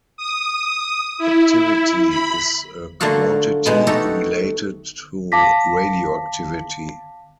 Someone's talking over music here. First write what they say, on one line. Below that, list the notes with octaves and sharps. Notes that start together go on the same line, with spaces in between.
Activity is a quantity related to radioactivity.
D#6
E4
B5
D3 A3 A#3 F4 F#4
B2 G#3 B3
A3 D#4 F#4 G4 A4
F5 A5 D6 A#6 B6